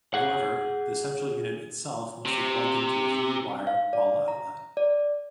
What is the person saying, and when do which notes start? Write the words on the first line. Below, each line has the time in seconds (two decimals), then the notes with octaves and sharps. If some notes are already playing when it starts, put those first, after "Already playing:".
However, the central unit itself must be plugged into a three-wire wall outlet.
0.14 G#4 F#5
2.25 C3
3.67 F5
3.93 D5
4.28 A#5
4.77 D5